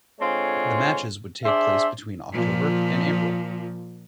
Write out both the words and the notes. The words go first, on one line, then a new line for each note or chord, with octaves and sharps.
The matches would take place between October and April.
D3 G#3 C4 F4 C#5 G#5
D4 G#4 C5 D5 E5
A#2 F3